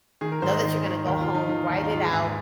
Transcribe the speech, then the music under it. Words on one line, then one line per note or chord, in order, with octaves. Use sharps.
know that you're gonna go home, write it out,
D#3 G#4
A#4
G#2 C5
D#5
D#3 C5
D#3
D#2 A#4
F4
D#2
D#4
D#3 F4
D#2
D#4
G#2 F4
G#4
G#2 G#5